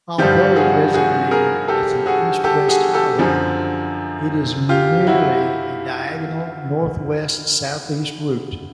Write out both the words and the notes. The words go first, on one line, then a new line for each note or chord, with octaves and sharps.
Although designated as an east-west highway, it is nearly a diagonal northwest-southeast route.
G2 D3 F3 F4 G4
F#4 G#4
F#4 G#4
G#4 A#4
G4 A4
F#4 G#4
G4 A4
F#4 G#4
G4 A4
F#2 D3 F3
F4 G4
E4 F#4